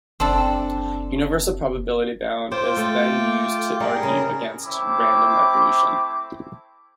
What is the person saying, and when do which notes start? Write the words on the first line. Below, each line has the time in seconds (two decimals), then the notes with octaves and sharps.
Universal probability bound is then used to argue against random evolution.
0.20 F#1 C4 D4 A4
2.52 F4 C5 G5 D6
2.77 A3
3.80 G3 G#4 A#4
4.03 C#3
4.65 A3 C4 E4 D6